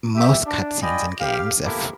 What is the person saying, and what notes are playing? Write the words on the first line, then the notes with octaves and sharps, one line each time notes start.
Most cut scenes in games, if
G4 E5
D4
F4 D5 D#5 G5 G#5 B5
G4 F5
A#3 B3 E4 F4 G4 A4